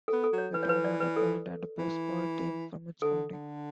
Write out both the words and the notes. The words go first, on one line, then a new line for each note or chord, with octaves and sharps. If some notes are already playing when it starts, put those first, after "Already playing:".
The town had a band and baseball team from its founding.
B3 A4
A4
F#3
C#5
E3 B4
C#5
B4
D5
B4
A4
E3
D3 A4
D3